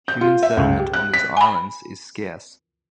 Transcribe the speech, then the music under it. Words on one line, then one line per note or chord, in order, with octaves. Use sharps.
Human settlement on these islands is scarce.
G6
F4
E5
C#2
G4
F#6
B6
G#5 B5